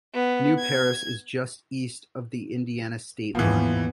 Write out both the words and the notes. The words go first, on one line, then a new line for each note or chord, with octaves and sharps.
New Paris is just east of the Indiana state line.
B3
G#6
D#2 G#2 E3 F3 B3